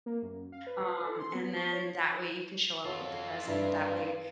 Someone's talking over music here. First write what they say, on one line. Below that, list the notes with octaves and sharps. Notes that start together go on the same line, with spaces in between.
Um, and then that way, you can show up with the present. That way,
A#3
F#2
F5
B4
B4
A4
C6
B3
C#6
C#5
F4 F#4 A4 C#5
G2 B4 E5